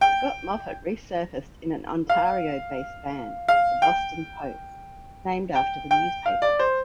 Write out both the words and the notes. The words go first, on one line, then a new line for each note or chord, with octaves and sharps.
Scott Moffatt resurfaced in an Ontario-based band The Boston Post, named after the newspaper.
G5
F5
F5
G5
G5
G5
F5
D5
C5